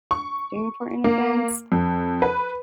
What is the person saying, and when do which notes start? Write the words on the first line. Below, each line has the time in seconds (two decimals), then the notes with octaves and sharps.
during important events?
0.11 C#6
1.04 A#3
1.72 F2
2.22 B4